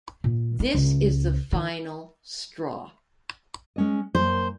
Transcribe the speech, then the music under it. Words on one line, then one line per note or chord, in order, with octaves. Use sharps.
This is the final straw.
A#2
D#4
C#2
D#3
G#3 C#4 D#5
F#2 A#3 C5